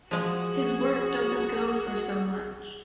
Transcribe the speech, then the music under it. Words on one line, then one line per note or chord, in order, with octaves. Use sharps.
His work doesn't go for so much.
F3 G#3 F#4 G#4